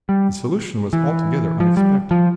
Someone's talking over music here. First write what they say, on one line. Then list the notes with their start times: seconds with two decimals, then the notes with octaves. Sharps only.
The solution was altogether unexpected.
0.09 G3
0.93 E3
1.60 F3
1.77 G3
2.11 F3